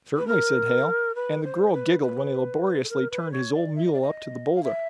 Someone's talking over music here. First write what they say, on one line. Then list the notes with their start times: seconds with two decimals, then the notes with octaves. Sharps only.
"Certainly," said Hale, and the girl giggled when he laboriously turned his old mule up to the boulder.
0.16 B4
0.27 A#4
1.14 B4
1.43 C5
1.73 B4
2.01 B4
2.83 A4
2.89 A#4
3.10 B4
3.31 C#5
3.53 D5
3.75 E5
3.85 D#5
3.92 D5
4.01 D#5
4.55 F5
4.63 E5